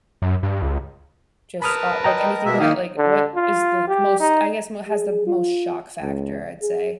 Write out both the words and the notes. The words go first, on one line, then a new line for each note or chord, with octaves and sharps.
just all like, anything that, like, what is the most I guess m has the most shock factor, I'd say.
F#2
G2
C#2
A#4 B4 A5 B5 D#6 F6
D#5 G5 A#5
B2 G#3 A#3 E5
D#3 A#3 D#4 E4 F5 D#6
D3
F4
G4
D#4
G#4
F4
C#2
G#4